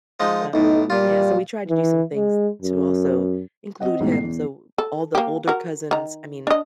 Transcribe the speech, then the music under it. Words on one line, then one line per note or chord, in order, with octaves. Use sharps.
um, yeah, so we tried to do some things to also include him, so all the older cousins I mean,
F3 G#3 D#4
B1 A2 D#4
A#2 G3 F4
E3
G#3
F#2
C4 D#5 F#5
A1 G#2 B2
C7
E2
A4
A#3 G4
F#4 A#4
D#3 A#5
D4 D#5